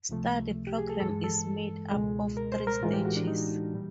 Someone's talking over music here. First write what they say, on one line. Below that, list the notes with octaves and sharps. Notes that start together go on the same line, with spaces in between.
The study programme is made up of three stages.
C#2 C3 F3 A3
G4
G#4
A4
G2 E3 G#3 A4
A4
C#2 B2 G#3
A#4
C5
A#4
A2 E3 G#3 F4
G4
F#4
D4
D#4
A#2 G3